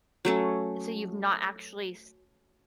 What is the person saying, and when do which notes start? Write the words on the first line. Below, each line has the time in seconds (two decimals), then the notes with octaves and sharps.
so you've not actually
0.25 F#3 A3 C#4